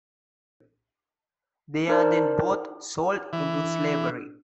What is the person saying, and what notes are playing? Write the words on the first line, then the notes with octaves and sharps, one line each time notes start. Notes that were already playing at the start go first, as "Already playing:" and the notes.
They are then both sold into slavery.
D4 D#4 A#4 C5 D5 A5
E3